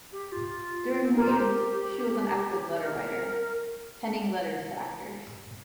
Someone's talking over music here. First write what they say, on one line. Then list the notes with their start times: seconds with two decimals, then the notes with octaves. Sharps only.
During her youth, she was an active letter-writer, penning letters to actors.
0.12 G4
0.32 F4
1.03 C4
1.12 D#4
1.18 F4 A#4
1.28 G4 C5
2.82 A#4